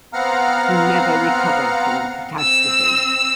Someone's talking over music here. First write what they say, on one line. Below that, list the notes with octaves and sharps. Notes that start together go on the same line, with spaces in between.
He never recovered from the catastrophe.
B3 C4 F5 F#5 A#5 F6
C4 E6